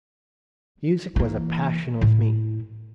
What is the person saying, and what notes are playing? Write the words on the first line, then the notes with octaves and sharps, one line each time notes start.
Music was a passion with me.
E3 A#3
A2 E4